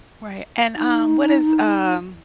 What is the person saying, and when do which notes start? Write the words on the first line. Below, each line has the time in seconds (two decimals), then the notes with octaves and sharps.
Right. And, um, what is um
0.76 D#4